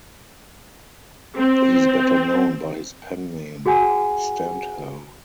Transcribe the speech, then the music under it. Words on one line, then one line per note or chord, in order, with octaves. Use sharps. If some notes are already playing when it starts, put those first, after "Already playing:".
He is better known by his pen name Stendhal.
C4
F#4 G#4 F#5 G#5